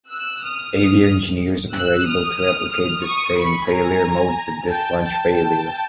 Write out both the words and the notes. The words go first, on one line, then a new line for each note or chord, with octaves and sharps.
Avio engineers were able to replicate the same failure mode with this launch failure.
E6 F#6
D#6 F6
D#6 F6
E6 F#6
D#6 F6
D#6 F6
D#6 F6
C#6 D#6
B5 C#6
G#5 A#5
G5 A5
G5 A5
G5 A5